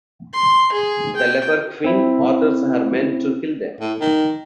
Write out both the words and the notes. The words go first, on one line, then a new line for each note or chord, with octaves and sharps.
The Leper Queen orders her men to kill them.
C6
G#4
G5
C4 E4
A2
D#3